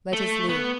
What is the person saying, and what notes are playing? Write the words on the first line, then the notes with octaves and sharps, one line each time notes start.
Let us live.
A3
B3